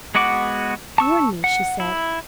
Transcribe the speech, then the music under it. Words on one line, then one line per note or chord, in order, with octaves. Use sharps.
"Warn me?" she said.
G#3 B3 F#4 F#5 D6
A5 C#6 E6
F#5
E4